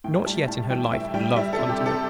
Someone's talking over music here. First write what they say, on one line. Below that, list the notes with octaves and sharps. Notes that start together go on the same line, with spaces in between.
Not yet in her life had love come to her.
A2 G5
G3 A5
A2 A5
E3 G5
A2 E5
G3 G5
G3 E5
A4
C3
G4
C3
A4